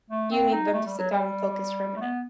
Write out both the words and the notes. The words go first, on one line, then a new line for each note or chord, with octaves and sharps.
you need them to sit down and focus for a minute.
A3
C4
D#4
A3
G3
F#3
G3
A3
B3